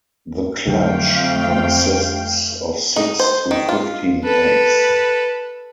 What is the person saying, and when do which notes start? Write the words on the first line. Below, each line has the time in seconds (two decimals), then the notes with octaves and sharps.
The clutch consists of six to fifteen eggs.
0.67 F2 D3 F#3 A3 F5 G5
2.96 D#4
3.19 C5
3.51 D#3
3.69 F4
4.23 A4 B4